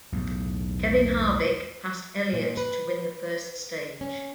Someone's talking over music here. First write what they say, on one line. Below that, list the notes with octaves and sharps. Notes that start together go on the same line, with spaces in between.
Kevin Harvick passed Elliott to win the first stage.
B1 E2 A2
A#2
B4
C#4